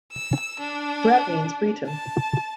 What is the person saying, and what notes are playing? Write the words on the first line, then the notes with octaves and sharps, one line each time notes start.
"Bret" means 'Breton'.
E6
D4
A5